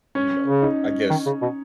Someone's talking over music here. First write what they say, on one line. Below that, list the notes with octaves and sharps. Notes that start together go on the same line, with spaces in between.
you know I guess
C#4
C#3
D#4
D#3
C#3
B2